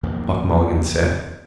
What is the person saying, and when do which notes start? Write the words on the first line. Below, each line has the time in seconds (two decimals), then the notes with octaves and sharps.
Buck Mulligan said.
0.03 B1 F2 D#3 A#3